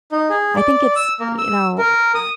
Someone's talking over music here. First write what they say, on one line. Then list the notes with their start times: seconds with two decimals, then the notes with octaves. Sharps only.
I think it's you know uh
0.12 D#4
0.30 G#4
0.57 D5
0.96 E6
1.20 A#3
1.38 E6
1.78 A#4
2.15 D#6